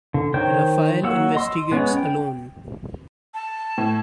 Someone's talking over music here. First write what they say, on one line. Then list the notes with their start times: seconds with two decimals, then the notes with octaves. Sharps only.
Raphael investigates alone.
0.14 D3
0.34 D#3 C5 C#5 G5 G6
1.04 F#3 A#3 F#5 E6
1.35 D#5 C6 E6
1.72 G#3 B3 C#4 C#5
1.97 G5
3.34 A5
3.78 A2